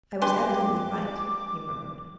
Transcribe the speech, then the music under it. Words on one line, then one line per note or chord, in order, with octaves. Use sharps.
"I was evidently right," he murmured.
G#3 D4 G4 B4 G5 G#5 C6 D6